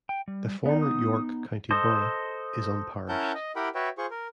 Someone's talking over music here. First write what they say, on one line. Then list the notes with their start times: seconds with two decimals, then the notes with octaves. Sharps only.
The former York County Borough is unparished.
0.09 G5
0.28 G3
0.66 B3 D#4 D5
0.81 D#6
1.71 A4 C5 D#5
3.09 C#4 E4 A#4 F#5 A5 G6
3.35 D#5
3.56 E4 G4 A#4 F#5 G5 B5
3.75 F#4 B4 C#5 E5 G5
3.98 F4 G#4 C5 C#6
4.11 A#4